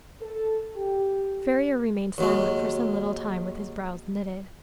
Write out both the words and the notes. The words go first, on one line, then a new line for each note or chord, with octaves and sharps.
Ferrier remained silent for some little time with his brows knitted.
A4
G4
D#2 F#3 G#3